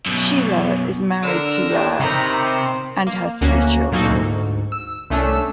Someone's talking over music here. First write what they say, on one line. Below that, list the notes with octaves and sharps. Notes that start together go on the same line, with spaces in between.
Shelah is married to Yael, and has three children.
F#2 B2
D3 A#4 E6
A2 G3 D4
C3 D#3 A#5 B5
C5
A#3
D2 A#3 C#4 F#4
A#2 F#3 A#3 D#4 F#4 A4
D2 G#2
E6
C2 A3 C#4 D4 E6